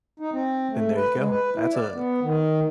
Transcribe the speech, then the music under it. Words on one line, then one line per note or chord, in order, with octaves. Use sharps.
then there you go. That's a
D#4
C4
A3
B4
G#3
B4
E4
D5
B3
D#3